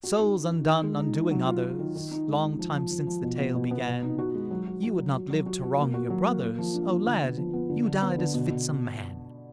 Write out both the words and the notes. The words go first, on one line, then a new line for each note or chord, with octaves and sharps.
Souls undone, undoing others,- Long time since the tale began. You would not live to wrong your brothers: Oh lad, you died as fits a man.
F#4
D#4
D#4
D#4
D#3
G#3
D#4
D#4
F#3
F4
F4
D#3
D#3
D#4
G#3
D#4
F3
F3
F3
F3
B2
B3
B2
B3
B2
D#4
F#4
G#3
F#3
F#4
F#4
F#3
F#4
F#3
F#4
F#4
A#3
F#4
F#3
A#3
A#3
F3
D4
A#3
D3
B3
F3
B3
D3
D3
B3
D3
B2
B2